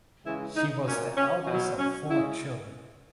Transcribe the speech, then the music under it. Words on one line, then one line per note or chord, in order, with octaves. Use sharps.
She was the eldest of four children.
C#3 E3 G#3 E4
D#4
A#2 F#3 C#4
C#4
B2 F#3
C#4
C#3 G#3 E4